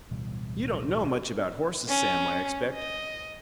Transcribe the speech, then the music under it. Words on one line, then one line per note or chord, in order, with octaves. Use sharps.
You don't know much about horses, Sam, I expect.
D1 B2 E3 G3
C#4
D#5